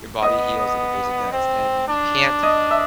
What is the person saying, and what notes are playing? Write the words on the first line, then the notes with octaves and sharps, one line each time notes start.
your body heals in the pace it does. And you can't
B3 D#5 D#6
C4
D4
D#5 D#6
E5 E6